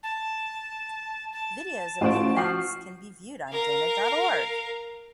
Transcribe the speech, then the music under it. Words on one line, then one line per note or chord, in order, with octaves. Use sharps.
Videos of the events can be viewed on dana dot org.
A5
A5
A1 F4 F#4 C5 D7
F3 F#4 C7
A#4 F5